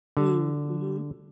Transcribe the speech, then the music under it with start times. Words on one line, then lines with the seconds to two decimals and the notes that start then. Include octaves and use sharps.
Mm, mhm.
0.17 D3